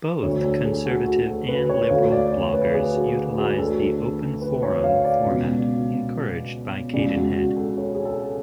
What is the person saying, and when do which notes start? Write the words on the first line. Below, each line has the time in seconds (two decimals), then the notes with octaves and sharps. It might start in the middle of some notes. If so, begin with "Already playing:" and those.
Both conservative and liberal bloggers utilize the open forum format, encouraged by Cadenhead.
0.23 D2 D3 C#5
0.44 A4
0.65 G#4
0.86 F#4
1.07 F#4
1.27 A4
1.49 B4
1.70 C#5
1.90 D2 D3 F5
2.12 D5
2.32 C#5
2.54 B4
2.74 G#4
2.95 F#4
3.37 G#4
3.58 D2 D3 A4
4.42 B4
4.63 C#5
4.84 F5
5.05 D5
5.26 C#2 B2
6.93 C#3 D5
6.97 C#2
7.15 F#4
7.35 F#4
7.57 A4
7.78 C#5
7.94 G#4
8.05 A4